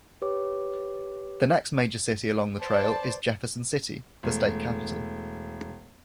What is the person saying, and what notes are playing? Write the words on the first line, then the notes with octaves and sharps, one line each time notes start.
The next major city along the trail is Jefferson City - the state capital.
G4 B4 C#5 D6
B3 C5 D5 A5
E1 A3